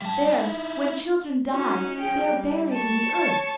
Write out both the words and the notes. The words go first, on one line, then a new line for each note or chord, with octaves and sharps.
There, when children die, they are buried in the earth.
G3 A5
D#4 E4
C#4 D#4 F#4
G#4 G5
G3
A5 C#6
C#5